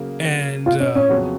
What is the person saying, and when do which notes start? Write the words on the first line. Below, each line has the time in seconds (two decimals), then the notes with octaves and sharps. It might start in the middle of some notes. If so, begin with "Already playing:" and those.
and, um,
Already playing: C#3 F#3 A#3
0.66 F4
0.80 C#4
0.95 C#4
1.09 F2 C#3 F#3 B3 F#4